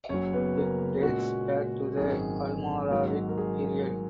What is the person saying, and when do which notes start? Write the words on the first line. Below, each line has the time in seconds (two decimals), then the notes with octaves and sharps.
It dates back to the Almoravid period.
0.09 F#1 F#2 C#3 F#3 C#4 C#5
0.33 B3 B4
0.57 A#3 A#4
1.03 A#2 G#3 C#4 F4 F#4
1.97 G#1 F#2 D#3 F#3 G#4
2.91 G#2 D#3 F#3 A#3
3.29 A#4
3.38 G#4